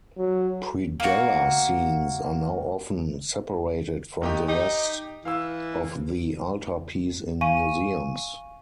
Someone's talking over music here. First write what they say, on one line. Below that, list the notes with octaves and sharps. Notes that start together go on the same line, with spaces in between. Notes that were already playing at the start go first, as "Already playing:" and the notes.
Predella scenes are now often separated from the rest of the altarpiece in museums.
F#3
A#3 F#4
D#2 D#4 G4
D#4 G4
E3 F5 E6
F5 G#5 C#6 D#7